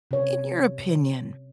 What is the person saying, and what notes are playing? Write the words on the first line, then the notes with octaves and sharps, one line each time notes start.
In your opinion,
C3 C#4 C#5